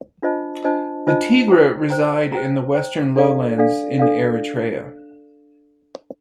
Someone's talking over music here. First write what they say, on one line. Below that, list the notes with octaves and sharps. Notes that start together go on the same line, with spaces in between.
The Tigre reside in the western lowlands in Eritrea.
D4 F4 C5 D#5 A5
D4 F4 C5 D#5 A5
D4 F4 C5 D#5 A5
C5 G5 A#5
C5 G5 A#5
C5 G5 A#5
C5 G5 A#5
D4 A4 D5 F5
D4 A4 D5 F5
D4 A4 D5 F5